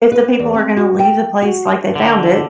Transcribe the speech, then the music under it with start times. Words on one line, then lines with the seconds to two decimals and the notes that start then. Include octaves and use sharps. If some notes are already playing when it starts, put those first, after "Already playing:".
if the people are gonna leave the place like they found it.
0.12 B4
0.39 E2
0.55 C4
0.77 F#4
0.99 G5
1.42 F#4
1.95 D3